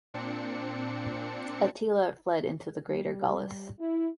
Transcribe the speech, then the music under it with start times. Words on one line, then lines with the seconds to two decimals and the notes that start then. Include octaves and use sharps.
Attila fled into the greater Gauls.
0.14 A#2 C4 D4 C#7
2.88 G3
3.79 E4